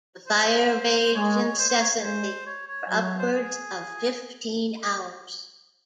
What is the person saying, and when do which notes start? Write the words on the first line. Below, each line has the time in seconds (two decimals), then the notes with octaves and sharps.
The fire raged incessantly for upwards of fifteen hours.
0.27 C5
1.14 G#3 C#5
1.59 C5
1.69 C5
1.80 C#5
2.02 G#3 C5
2.46 C#5
2.68 C#5
2.90 F#3 C5
3.04 C#5
3.19 C5
3.33 G#4